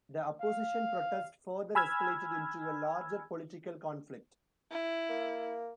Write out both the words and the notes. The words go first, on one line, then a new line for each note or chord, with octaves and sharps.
The opposition protest further escalated into a larger political conflict.
F5
G#5 B5 E6 F6 G#6
E4
A#3